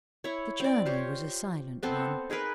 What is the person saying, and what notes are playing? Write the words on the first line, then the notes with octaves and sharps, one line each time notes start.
The journey was a silent one.
E4 C#5
C4 D5
F4 G4 C5 C#5
B3 C4 A4 C5
D#4 G#4 A#4 B4